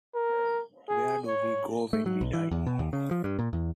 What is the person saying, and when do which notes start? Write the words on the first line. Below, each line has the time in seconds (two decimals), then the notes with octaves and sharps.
Where do we go when we die?
0.14 A#4
0.89 G#4
1.27 C#5
1.93 A3
2.06 F#3
2.21 B1
2.33 E3
2.51 E2
2.66 B2
2.79 D#2
2.93 C#3
3.11 F3
3.24 G2
3.39 A#2
3.53 E2